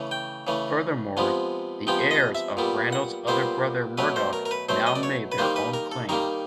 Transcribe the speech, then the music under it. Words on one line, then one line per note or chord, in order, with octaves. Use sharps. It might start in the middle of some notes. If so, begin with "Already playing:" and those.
Furthermore, the heirs of Ranald's other brother Murdoch now made their own claim.
Already playing: C#3 E3 A3
G5
C#3 E3 A3
C3 F3 G#3 B3
C3 F3 G#3 B3 G5
D#5
E5
A#2 G3 B3
F#5
A#2 G3 B3 C5
B2 F#3 A3 B4
C5
A#4
A#4
B4
B2 F#3 A3 C5
D#5
D5
C#5
B4
D#3 G3 A#3 C5
B4
A#4
A4
D#3 G3 A#3 A#4